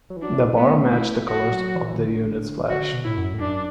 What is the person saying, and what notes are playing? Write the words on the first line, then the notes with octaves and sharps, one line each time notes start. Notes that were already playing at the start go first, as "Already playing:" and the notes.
The bar matched the colors of the unit's flash.
F#3
E3
F#3 D4
E3
A3 B3
E4
F#3 F#4
F#3
E3
D3
D3 F#4
B2
A2 E4
F#2
A2
F#2 D4